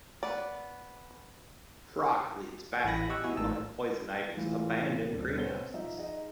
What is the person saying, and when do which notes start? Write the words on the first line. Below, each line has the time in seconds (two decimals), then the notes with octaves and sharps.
Croc leads Batman to one of Poison Ivy's abandoned greenhouses.
0.23 B3 D5
2.84 A1 E4 G#5 B5 A#6
3.09 G4 D#5 G5 C#6 E6 F#6
3.24 B3 E4 F#4 D#5 G#5
3.37 A1 A2 D#4 A5 E6
4.37 A2 E3 G#3 E4 F4
5.12 D#1 D4 A4 C5
5.36 B2 C4 B4 C#5 G7
5.74 F3 D#4 E5
5.98 D#4 G#4 D#5